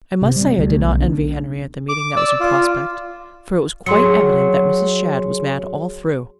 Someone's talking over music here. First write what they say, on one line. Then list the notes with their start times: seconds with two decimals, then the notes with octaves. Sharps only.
I must say I did not envy Henriette the meeting that was in prospect, for it was quite evident that Mrs. Shadd was mad all through.
0.22 C3
0.36 G3
0.58 D2
0.80 B1
1.00 D4
1.89 D6
2.17 D5 E6
2.40 F4
3.86 F#3 G#4 C6 C#7